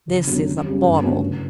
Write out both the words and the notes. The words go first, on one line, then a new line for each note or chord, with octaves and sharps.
This is a bottle.'
F#1
F#2 D3 F#3
F#2
C#3 G3 C#4
G2
D3 A3 C#4 F#4
F#1